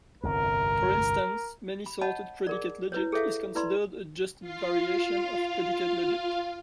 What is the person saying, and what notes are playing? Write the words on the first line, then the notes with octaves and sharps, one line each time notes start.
For instance many-sorted predicate logic is considered a just variation of predicate logic.
G1 C2 F2 A#4
B5
C#5 D#5 F#5 A5 B5
G#4 A#4 D5
E4 B4 C#5
G#4 A4 C#5 E5 F5
E4 B4 D5 B5 C6
F4 F5